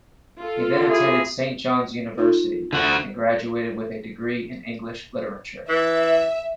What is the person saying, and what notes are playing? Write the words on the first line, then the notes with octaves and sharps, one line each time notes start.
He then attended Saint John's University, and graduated with a degree in English literature.
F4 A4
E4 G4 G#4
D#4 F4
D3 F#4
E3 E5